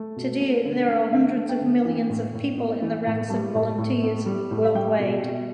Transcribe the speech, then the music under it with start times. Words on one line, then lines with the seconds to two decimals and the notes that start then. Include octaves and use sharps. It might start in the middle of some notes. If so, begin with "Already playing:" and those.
Today, there are hundreds of millions of people in the ranks of volunteers worldwide.
Already playing: A3
0.16 B2
0.40 A3
0.65 D3
0.88 A3
1.12 D3 E5
1.37 A3
1.49 G5
1.61 D3
1.85 E3
2.10 A2
2.34 A2
2.58 B3
2.82 E3
3.07 A2
3.30 G3 A5
3.55 A2
3.78 A2
4.03 B3
4.26 G3
4.51 A2
4.65 E5
4.75 G3 G5
4.99 B2
5.23 B2